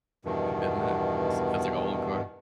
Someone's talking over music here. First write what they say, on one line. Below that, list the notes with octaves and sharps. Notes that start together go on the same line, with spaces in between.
isn't it? S that's like a old car.
E2 G2 B2 D#3